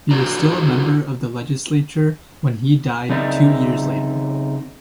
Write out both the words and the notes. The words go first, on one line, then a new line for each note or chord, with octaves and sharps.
He was still a member of the legislature when he died two years later.
D3 E4 F#4 G4 D5 A#5
C#3 C4 D#4 D5 E5